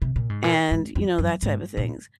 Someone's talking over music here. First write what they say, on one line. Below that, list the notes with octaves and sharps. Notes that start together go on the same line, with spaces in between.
and, you know, that type of things.
C3
A#2
G#2
A#2
G#2
F2
F#2
G#2
A#2